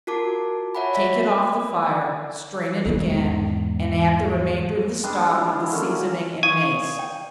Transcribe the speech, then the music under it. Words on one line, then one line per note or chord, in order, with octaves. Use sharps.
Take it off the fire, strain it again, and add the remainder of the stock with the seasoning and mace.
F4 F#4 A#4 A5 D6
C#5 E5 F#5 G#5 B5
D5 E5 B6
D5
E2 G#2
G3 G#3 D4
E4 F4
D3 A#3 C#4
F5 G#5 C#6 D#6
D5 G5